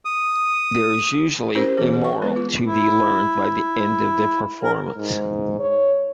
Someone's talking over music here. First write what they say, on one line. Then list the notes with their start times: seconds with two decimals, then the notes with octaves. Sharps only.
There is usually a moral to be learned by the end of the performance.
0.05 D#6
1.55 C#4 E4 G4 A#4 C5
1.77 E3 C4 G#4
1.93 G#4
2.04 C#6
2.22 G#3 B3 B4
2.36 F4
2.66 E4
4.63 A#4
4.96 G#2
5.59 C#5